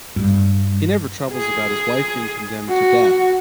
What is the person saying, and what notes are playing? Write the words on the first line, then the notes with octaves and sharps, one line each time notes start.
He never troubles about his wife being condemned to death.
G2
G#4
F#4